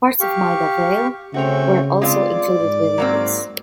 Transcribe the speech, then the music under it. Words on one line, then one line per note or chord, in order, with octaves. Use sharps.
Parts of Maida Vale were also included within this.
G4 F5 C#6
C#3 A3 C4 C#4 F#4 C#5
G#3 C4 F4 D5
G#2
F#3 A#3 C4